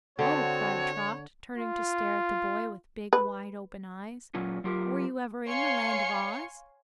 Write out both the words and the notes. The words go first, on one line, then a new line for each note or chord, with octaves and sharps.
"Oh!" cried Trot, turning to stare at the boy with big, wide-open eyes; "were you ever in the Land of Oz?"
D3 C4 F#4 C#5 A5
F4
B4
A#2 F#3 C#4 F4
F#3 F4 G4 A#4
C#5 F5 G#5 C6 C7 C#7